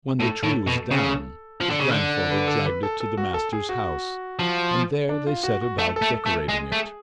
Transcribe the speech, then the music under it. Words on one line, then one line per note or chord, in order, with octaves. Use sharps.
When the tree was down, his grandfather dragged it to the master's house, and there they set about decorating it.
A2 A4
A2
B2
C#3
F3
D3
C#3
D3
B4
A4
B4
A4
A4
F#4
A4
G#4
F#4
F3
D4
F4
F#4
F#4
A3 A4
A4
A3
A4
A3
A4
G#3 G#4
A3